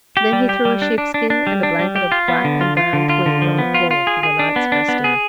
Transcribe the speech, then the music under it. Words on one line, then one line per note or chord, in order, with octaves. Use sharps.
Then he threw a sheepskin and a blanket of black and brown tweed on the floor for the night's resting.
G4
G3
G4
G3
D4
D4
D4
D4
G3
D4
G3
G4
F4
B3
D3
F4
F4
D3
F4
D3
F3
B3
F4
F4
G#4
G#4
D4
B3
D4
B3
G#4